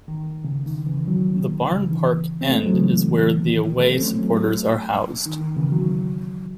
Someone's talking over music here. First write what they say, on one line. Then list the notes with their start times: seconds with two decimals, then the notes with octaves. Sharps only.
The Barn Park End is where the away supporters are housed.
0.08 D#3
0.45 C#3
0.66 D#3
0.86 C#3 E3
1.07 D#3 F#3
1.29 D#3
1.49 D#3
1.71 C#3
1.85 E3
1.91 D#3
2.41 C4
2.49 A3
2.57 G#3
2.66 F#3
2.74 C#3 E3
3.37 D#3
3.58 D#3
3.79 F#3 A3
3.92 C4
4.00 A3 C#4
4.20 F#3 A3
5.26 D#3
5.41 D#3
5.56 C#3 E3
5.72 D#3 F#3